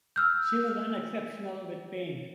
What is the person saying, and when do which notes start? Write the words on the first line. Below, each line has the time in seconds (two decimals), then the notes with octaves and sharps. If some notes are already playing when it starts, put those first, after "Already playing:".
She was unexceptional with paint.
0.16 E6 F6 G6